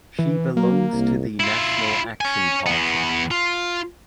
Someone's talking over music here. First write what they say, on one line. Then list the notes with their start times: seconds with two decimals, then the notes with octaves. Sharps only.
She belongs to the National Action Party.
0.19 E3
0.57 F#3 A#3
0.93 C2
1.40 E4 F4
2.21 C#5 G#5
2.66 E2 B3
3.31 F4